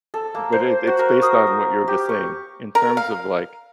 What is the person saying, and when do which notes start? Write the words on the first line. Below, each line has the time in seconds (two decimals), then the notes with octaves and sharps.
but it it's based on what you were just saying. In terms of, like,
0.14 A4
0.35 A#3
0.52 C5
0.87 F#4
0.99 A#4
1.22 D#6
1.47 A#4
1.88 G4
2.09 C#6
2.75 A#4
2.97 F5